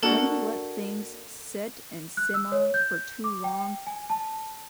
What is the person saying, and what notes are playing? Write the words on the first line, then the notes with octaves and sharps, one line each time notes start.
When you let things sit and simmer for too long,
A#3 D4 F#4 A4 A5
F#6
E6
C#5
G6
D6
G5
G#5
A5